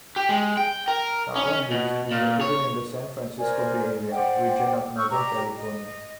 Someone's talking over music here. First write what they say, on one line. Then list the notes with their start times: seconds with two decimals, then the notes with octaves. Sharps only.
Tara Hills is located in the San Francisco Bay Area region of Northern California.
0.16 G4
0.29 G#3
0.57 G5
0.88 A#4
1.36 C#4
1.71 B2
2.11 A#2
2.41 C#5
3.38 A#4 C5 D5 G#5
4.12 C5 D5 F#5 G5
4.95 C#6 E6 F6 G6
5.11 G4 D5 A#5
5.59 D#5